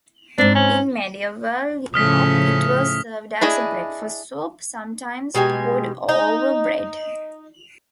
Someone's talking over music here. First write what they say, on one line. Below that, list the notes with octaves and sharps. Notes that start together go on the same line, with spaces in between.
In medieval Europe, it was served as a breakfast soup, sometimes poured over bread.
G#2 C4 D4
C#4
A2 C#3 F3 A3 C#4 D#6 F6 B6
D4 E4 G#4 D#5
B2 G#3 G4 G#5
D#4